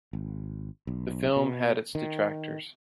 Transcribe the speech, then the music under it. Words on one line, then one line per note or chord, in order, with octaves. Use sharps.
The film had its detractors.
G#1
B1
B2
D#3